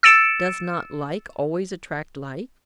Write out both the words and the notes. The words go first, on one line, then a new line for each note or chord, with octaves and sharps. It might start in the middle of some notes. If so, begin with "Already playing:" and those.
Does not like always attract like?
E6 A6 C#7 D7 E7